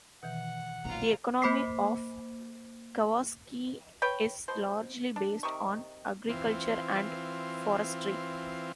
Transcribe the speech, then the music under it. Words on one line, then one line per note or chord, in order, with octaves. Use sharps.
The economy of Kawasaki is largely based on agriculture and forestry.
B2 D#3 E3 F#5
F1 B1 A#2 F4 A#5
A#3 C5 B5 D6 B6 C7
B4 C#5 G5
B2 C5
D4
C3 D#3 C#6
E3 C4 F4